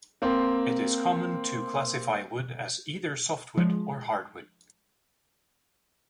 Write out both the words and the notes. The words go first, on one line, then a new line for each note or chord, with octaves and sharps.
It is common to classify wood as either softwood or hardwood.
A#3 C4
F3 G#3